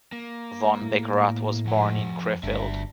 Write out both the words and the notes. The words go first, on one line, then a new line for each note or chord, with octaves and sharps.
Von Beckerath was born in Krefeld.
A#3
A2
F2 F3 F#5
G1 D4 E5